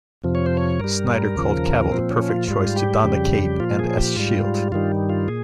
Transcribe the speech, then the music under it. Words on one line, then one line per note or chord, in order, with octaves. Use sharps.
Snyder called Cavill the perfect choice to don the cape and S shield.
F2 C3 F3
C#5
C5
C#5
G2 G3 A#4
D#2 C#3 F3
A#2 F3 C4
C#4
F4
G#2 G3 F4
G4
F2 C#3 G3
A#2 F3 F4
G#4
G4
G#2 G3 F4
G2 D#3 G3 F4
F4
A#2 G#4